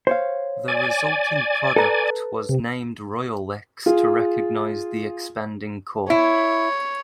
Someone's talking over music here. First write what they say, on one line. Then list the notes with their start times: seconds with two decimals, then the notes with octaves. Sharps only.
The resulting product was named Royalex to recognise the expanding core.
0.07 C5 C#5 F5
0.68 D5 G#5
1.76 A4 B4 A#5
2.49 C3
3.86 F4 G#4
6.10 E4 C#5